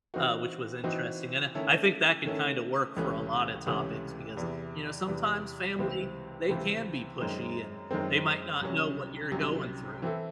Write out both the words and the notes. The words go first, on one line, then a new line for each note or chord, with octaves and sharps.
Uh, which was interesting, and, I I think that could kinda work for a lotta topics, because, you know, sometimes family, they can be pushy, and they might not know what you're going through.
E3 C4 D#4 F#4
E3 C4 D#4 F#4
D#3 A3 C#4 E4 A4
D#3 A3 C#4 E4 A4
C#2 C3 E3 A3 C#4
C#2 C3 E3 A3 C#4
E2 C3 E3
E2 C3 E3
C#2 C3 E3 C4
C#2 C3 E3 C4
F#2 D#3 G#3 C4
F#2 D#3 G#3 C4
C2 C3 F#3 C#4
C2 C3 F#3 C#4
E3 C4 E4 A4